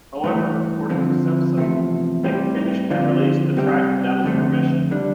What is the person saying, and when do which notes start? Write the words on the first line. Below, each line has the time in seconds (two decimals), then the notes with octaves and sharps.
However, according to Simpson, they had finished and released the track without his permission.
0.24 G2 E3 A3
0.90 D3 F3 C4
1.57 E2 C3 F3 A3
2.23 A2 G3 C4 G4
2.90 D3 F3 C4 F4
3.57 C3 G3 C4 G4
4.24 F2 D3 A3 C4
4.91 D3 G3 D4